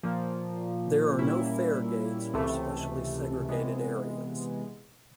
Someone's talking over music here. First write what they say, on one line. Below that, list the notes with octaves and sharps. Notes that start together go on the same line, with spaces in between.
There are no faregates or specially segregated areas.
A#2 F3 A#3
A#2 G3 A#3 C#4 E4
C#2 C3 E3 A3
C3 E3 G#3 B3